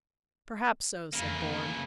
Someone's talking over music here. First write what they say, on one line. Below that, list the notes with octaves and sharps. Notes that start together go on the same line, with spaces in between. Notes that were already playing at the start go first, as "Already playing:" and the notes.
"Perhaps so," said Bourne.
F2 C#3 E3 A3 A#3